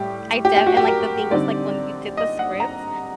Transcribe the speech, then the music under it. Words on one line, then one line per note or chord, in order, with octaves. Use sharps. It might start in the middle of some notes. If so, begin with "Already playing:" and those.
I def and like, the thing was, like, when you did the scripts,
Already playing: A2 G3 G4
G4
G4
F#4
G4
A#4
D3 G3 C4 D#4 D5
D#5
F#5
A#5